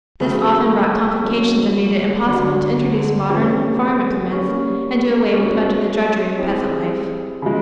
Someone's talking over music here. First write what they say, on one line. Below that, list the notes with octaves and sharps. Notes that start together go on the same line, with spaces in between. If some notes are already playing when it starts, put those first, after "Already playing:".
This often brought complications and made it impossible to introduce modern farm implements and do away with much of the drudgery of peasant life.
C#3 F#3 A3
B2 F#3 A#3 C#4
G2 D3 F#3
E2 C3 F3 G#3 C#4
G3 A#3 C#4
B2 G#3 C#4
G3 C4 E4 G#4
C#3 F3 G#3